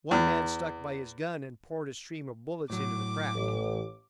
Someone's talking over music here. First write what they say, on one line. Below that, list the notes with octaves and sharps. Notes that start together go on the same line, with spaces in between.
One man stuck by his gun and poured a stream of bullets into the crack.
E2
A2 F#3 D6
A1